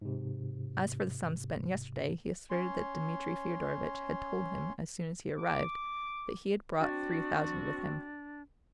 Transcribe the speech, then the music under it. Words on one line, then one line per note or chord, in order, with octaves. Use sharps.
As for the sum spent yesterday he asserted that Dmitri Fyodorovitch had told him, as soon as he arrived, that he had brought three thousand with him.
G#2 C3
C#4 C#5 C6
D6
C4 D4 F#4